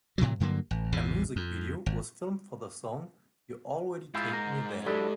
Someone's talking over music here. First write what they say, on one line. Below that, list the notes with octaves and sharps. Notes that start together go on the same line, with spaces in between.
A music video was filmed for the song "You Already Take Me There".
A2 C3 E3 F#3
G2 D3 F#3 A#3
A1
A1 E2 G#2 C3
F2
G#1
G#2 E4 F4 G6 C7
A#4
F#3 D4 E4 G4 A4 D5